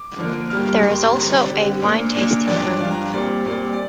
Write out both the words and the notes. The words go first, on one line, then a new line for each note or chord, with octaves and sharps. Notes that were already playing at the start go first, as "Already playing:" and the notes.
There is also a wine-tasting room.
Already playing: D6
D3 F3 A#3 D4
G2 G3 A#3 F6
G2 G3 A#3 D6
C6
D6
C6
D3 G3 C4 A#5
D5
D3 G3 C4 C5
A#2 A#3 D4
A#2 A#3 D4
G2 F3 D4 D5
D5
G2 F3 D4 F5
A#5
F5
A#2 G3 C4 D5
A#2 G3 C4 D5
D5